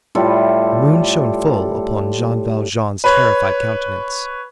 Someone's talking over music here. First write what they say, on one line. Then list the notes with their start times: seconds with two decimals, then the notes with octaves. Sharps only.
The moon shone full upon Jean Valjean's terrified countenance.
0.15 A2 G3 F4 A4
3.04 B4 C#5